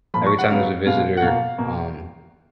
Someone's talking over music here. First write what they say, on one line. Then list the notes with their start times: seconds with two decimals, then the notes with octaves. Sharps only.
every time there's a visitor, um,
0.14 A#2 F3 A#3 B5
0.26 C#6
0.38 F#5
0.50 C#3 F#3 B3 F5
0.86 B2 G#3 B3 F5
1.17 F#5
1.22 B2 A#3 F5
1.58 B2 A#3